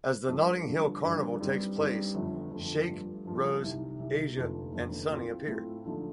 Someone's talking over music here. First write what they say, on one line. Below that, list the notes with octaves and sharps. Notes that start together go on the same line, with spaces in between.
As the Notting Hill Carnival takes place, Shake, Rose, Asia, and Sunny appear.
G2 F3 A3
G2 D3 F3
G2 D3 F3
G2 D#3 G3 C4 D#4
G2 D#3 G3 C4 D#4
G1 F2 D3 F3 A3
G1 F2 D3 F3 A3
G2 F3 A3
G2 F3 A3
C2 C3 D#3
C2 C3 D#3
F1 D#2 D3 F3 A3
F1 D#2 D3 F3 A3
A2 A3 C4 F4
A2 A3 C4 F4
D#2 D3 F3 A3 D#4